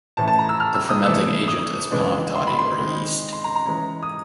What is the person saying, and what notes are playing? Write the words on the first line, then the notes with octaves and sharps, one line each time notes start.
The fermenting agent is palm toddy or yeast.
A2 E3 A3 C#4 A5
A5
A#5
E6
F6
E6
D#6
C3 E3 A3 D4 E6
D#6
C#3 E3 G#3 B3 D4
C6
B5
C6
D#3 G#3 C4
C6
A#5
A#5
E3 G#3 C#4
D#6